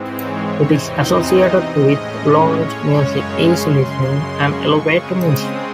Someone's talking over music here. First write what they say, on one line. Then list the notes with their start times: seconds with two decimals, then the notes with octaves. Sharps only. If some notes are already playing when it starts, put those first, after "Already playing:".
It is associated with lounge music, easy-listening, and elevator music.
Already playing: G#2 E3 G#3 C4
0.13 C#5
0.65 E2 C3 E3 C4 D#4 D#5
1.70 A2 G#3 C#4 D#5
2.23 C#5
2.76 F#2 C#3 G#3 C#4
3.29 C6
3.82 F#2 C#3 G#3
4.34 C#6
4.87 C#3 G#3 C4 D#6
5.40 C6